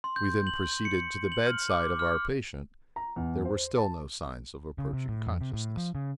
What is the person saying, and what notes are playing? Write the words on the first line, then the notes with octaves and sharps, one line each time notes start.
We then proceeded to the bedside of our patient; there were still no signs of approaching consciousness.
C6
G6
F#7
C#7
F#7
F6
D6
F6
A#5
E2
C5
A5
C#3
C3
A2
F2
C3
A2
F3
C#3